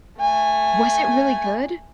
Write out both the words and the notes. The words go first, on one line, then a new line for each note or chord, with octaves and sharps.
Was it really good?
A3 G#5